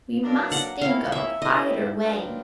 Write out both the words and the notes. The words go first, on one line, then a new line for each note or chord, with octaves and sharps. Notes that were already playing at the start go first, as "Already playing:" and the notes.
"We must think of a quieter way!"
B2 F#3 A#3 D4
F#5
C3 F3 A#3 C#4 E4 F5
E5
D3 G3 B3 E4 G4 D#5
D#3 F#3 B3 D4 F4